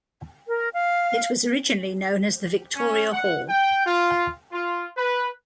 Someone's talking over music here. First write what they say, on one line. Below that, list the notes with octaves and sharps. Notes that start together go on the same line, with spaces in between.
It was originally known as the Victoria Hall.
A#4
F5
C#4
F#5
G5
F4
F4
B4